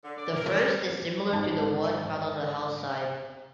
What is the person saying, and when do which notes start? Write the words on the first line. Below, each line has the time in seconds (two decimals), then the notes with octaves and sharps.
The first is similar to the one found on the House side.
0.04 D3
0.18 D5
0.36 A#4
0.54 G3
1.33 G#1 A5